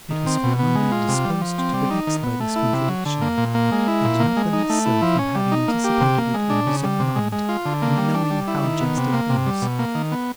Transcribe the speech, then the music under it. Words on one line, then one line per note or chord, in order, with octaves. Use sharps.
Kit was for a moment disposed to be vexed by this contradiction, and not the less so from having anticipated it in his own mind and knowing how just it was.
D#3
C4
B2
B3
G#3
F4
C3
G3
F3
C4
G3
D#4
D#3
B3
A3
E4
C3
F#3
D3
A#3
A#2
A#3
G#3
E4
A#2
A#3
G#3
D#4
A3
E4
F3
C#4
G3
D#4
A#3
G4
C3
A#3
G#3
D4
C#3
G3
C3
G#3
G#3
F4
D3
A#3
G3
D4
G3
E4
D#3
B3
C3
A#3
C3
G3
B2
A#3
D#3
B3